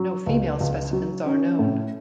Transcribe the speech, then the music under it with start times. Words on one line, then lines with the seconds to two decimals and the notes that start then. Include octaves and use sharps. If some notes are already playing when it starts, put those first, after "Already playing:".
No female specimens are known.
Already playing: F#3
0.27 C#2
0.60 C#2
0.93 F#3
1.26 C#4
1.59 A2